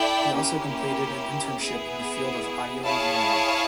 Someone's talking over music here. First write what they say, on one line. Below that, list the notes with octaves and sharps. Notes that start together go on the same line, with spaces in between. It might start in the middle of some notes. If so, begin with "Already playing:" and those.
He also completed an internship in the field of audio engineering.
Already playing: E4 A4 D5 G5
A#3 C#4 E4 G4
B3 E4 G#4
E4 G#4 C#5 F5 A5